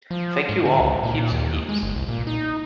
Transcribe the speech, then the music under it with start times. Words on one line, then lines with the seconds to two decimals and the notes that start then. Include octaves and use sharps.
Thank you all, heaps and heaps!
0.11 F3
0.49 G#2
0.65 D3
0.80 C#2
1.03 A#2
1.32 D#2
1.69 G#3
1.83 G1
1.95 C2
2.08 A#2
2.27 D#4